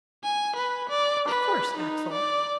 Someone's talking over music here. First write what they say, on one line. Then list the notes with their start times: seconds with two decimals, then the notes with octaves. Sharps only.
"Of course, Axel."
0.24 G#5
0.56 B4
0.89 D5
1.28 B4
1.77 D#4
2.12 D5